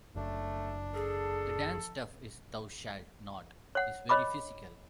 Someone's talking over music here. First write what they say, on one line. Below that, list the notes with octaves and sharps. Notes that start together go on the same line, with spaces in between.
The dance stuff in "Thou Shalt Not" is very physical.
F#1 A3 D4
G#4 A4
C#5 F#5
C#5 D#5 B5 D6